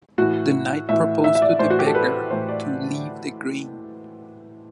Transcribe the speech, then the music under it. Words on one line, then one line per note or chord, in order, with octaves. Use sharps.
The knight proposed to the beggar to leave the grain.
A2 E3 F#4
A2 E3 E5
E5
E5
D5
A2 E3 C5
F#4
G4
A4
B4
A2 E3 C5
D5